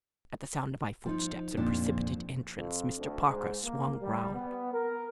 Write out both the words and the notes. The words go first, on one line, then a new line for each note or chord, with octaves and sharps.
At the sound of my footsteps and precipitate entrance Mr. Parker swung round.
F3 D#4
F2 A#2 F3 D4
F2
D2
G#2
A#3
G3
B3
A#4